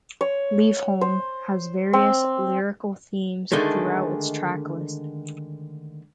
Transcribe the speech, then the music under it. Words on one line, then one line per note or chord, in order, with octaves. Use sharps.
"Leave Home" has various lyrical themes throughout its track list.
C#5
C5
C4
D3 D#3 G#3 A3